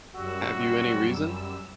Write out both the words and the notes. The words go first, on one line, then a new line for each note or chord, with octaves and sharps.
Have you any reason?
F#2 G3 F#4 E6